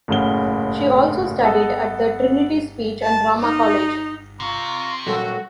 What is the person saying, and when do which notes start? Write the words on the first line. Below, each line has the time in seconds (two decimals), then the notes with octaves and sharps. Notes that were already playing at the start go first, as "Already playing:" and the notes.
She also studied at the Trinity Speech and Drama College.
0.08 F#1 A2 C#3 F#4 G7
1.43 B3 A4 D#5
3.02 A5
3.40 D#4
4.40 C3 F4 A#5 C#6
5.07 A#2 F#3 G3 F#4 A4